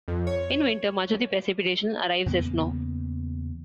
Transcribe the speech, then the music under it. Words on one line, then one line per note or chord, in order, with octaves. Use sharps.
In winter, much of the precipitation arrives as snow.
F2
C#5
E2 C#3 A#3 B3